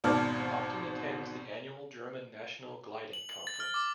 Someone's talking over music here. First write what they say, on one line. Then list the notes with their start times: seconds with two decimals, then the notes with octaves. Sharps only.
He often attends the annual German national gliding conference.
0.04 G#1 G#2 B2 D5 A5 F6
3.13 F#7
3.29 F#7
3.47 A6
3.60 F6
3.74 D6